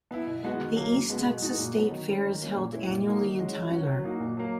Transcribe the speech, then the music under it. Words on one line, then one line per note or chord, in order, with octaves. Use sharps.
The East Texas State Fair is held annually in Tyler.
B3 E4
B2
G#3 B3 F#4
D#3
F#3 A#3
C#3
G#3 B3 F#4
B2
G#3 D#4 F#4
A#2
F#3 B3 F#4
D#3
G#3 C#4
D#3
F#3 A#3 C#4
A#2
G#3 C#4 E4
A#2
F#3 A#3 D#4 F#4
D#3
G#3 C#4 F#4
F#3
C#4 F#4
F#3
A#3 D#4 F#4
A#2
F#3 A#3